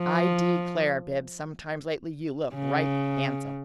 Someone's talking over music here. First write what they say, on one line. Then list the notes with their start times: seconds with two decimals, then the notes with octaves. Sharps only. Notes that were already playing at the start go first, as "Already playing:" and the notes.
"I declare, Bibbs, sometimes lately you look right handsome!"
Already playing: F3
2.54 C#3